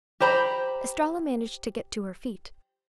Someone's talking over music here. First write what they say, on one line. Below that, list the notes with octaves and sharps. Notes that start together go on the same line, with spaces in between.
Estralla managed to get to her feet.
G4 C5 A#5 B5